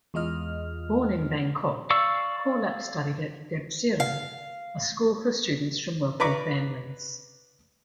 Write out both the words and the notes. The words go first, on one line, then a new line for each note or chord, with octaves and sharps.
Born in Bangkok, Kulap studied at Debsirin, a school for students from wealthier families.
E2 G#3 F4 D#5 F6
D5 F5 C#6 E6
F5
B4 D5 A#5 B5 C#6 D6